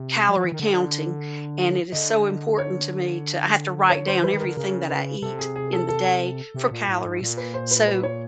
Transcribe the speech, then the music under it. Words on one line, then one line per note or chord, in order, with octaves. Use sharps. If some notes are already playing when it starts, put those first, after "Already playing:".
calorie counting, and it is so important to me to I have to write down everything that I eat in the day for calories, so
Already playing: C3
F#3
F3
E3
D#3
D3
D3 D#5
C#5
C#5
C5
E3 B4
D#3
D3 A#4
C#3 A#4
B4
C3 A4
G#4
G#4
A4
A4
C3
A#2
A2
G#2
A#2
B4
C5
B4
B4
C#5